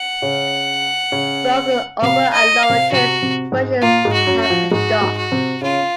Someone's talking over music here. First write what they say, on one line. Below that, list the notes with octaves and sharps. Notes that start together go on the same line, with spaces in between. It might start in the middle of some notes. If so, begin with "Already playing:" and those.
Both the upper and lower case versions have a dot.
Already playing: F#5
C#3 C#4
C#3 C#4
C3 C4 F5
D#5
F5
C3 C4
C3 C4 F#4
C3 C4
G#2 G#3
A#2 A#3 F4
G#2 G#3
F#4
F#2 F#3
F#4
F3
G#2 G#3 F#4
G#2 G#3
F#4
C3 C4
C#3 C#4 F4